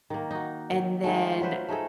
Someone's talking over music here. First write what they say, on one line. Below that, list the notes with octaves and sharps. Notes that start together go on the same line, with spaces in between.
And then,
D#3 A#3
D#4 F#4
D#3 F#3
D#3 G#3 A3
F#3 F4 B4 C5
A3 D#4 G#4 A4